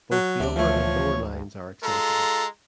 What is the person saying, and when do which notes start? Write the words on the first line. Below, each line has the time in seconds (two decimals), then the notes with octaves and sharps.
Both the upper and lower lines are accessible.
0.11 F#3
0.40 D2 C3 D4
0.56 E3 F3 A3 C#5
1.84 G#3 F4 A4 A#5